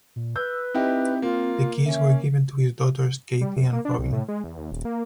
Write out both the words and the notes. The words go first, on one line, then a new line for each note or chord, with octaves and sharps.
The keys were given to his daughters, Cathy and Robin.
A#2
B4 E6 G6
C4 D#4 E4 G4
A#3 F4
C#4 E5
G3
F#2
A#3
D4
C2
A2
G#3
E2
D#2
D#1
A#3